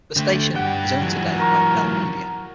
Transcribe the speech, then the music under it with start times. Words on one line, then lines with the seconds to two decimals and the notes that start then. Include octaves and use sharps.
The station is owned today by Bell Media.
0.16 D3 A3 G5
0.55 G2 G4 F#5
1.01 E3 F#3
1.39 A#4 C#6